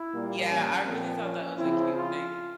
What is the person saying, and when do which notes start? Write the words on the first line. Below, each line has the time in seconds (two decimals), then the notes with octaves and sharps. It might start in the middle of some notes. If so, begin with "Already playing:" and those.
Yeah, I really thought that was a cute thing.
Already playing: E4
0.13 A#2 G3 A#3
0.50 C#4
0.85 A#2 F3 A#3 C4
1.22 C#4
1.58 C#3 F3 C4 E4
1.96 F4